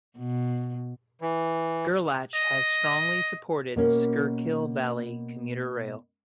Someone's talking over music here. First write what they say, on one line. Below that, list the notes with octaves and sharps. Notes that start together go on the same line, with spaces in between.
Gerlach has strongly supported Schuylkill Valley commuter rail.
B2
E3
D#5
B2 A#3 C#4